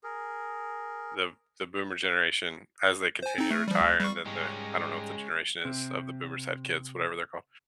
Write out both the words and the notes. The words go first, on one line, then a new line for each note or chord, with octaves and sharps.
the the boomer generation, as they continue to retire and then the I don't know what the generation is of the boomers who have kids, whatever they're called,
G#4 A#4
C5 G#5
C4 D#4
A3
F3 G3
D2
G3 C#6
G#2 G3 G#3 C#4 A#5
C3 C4 E5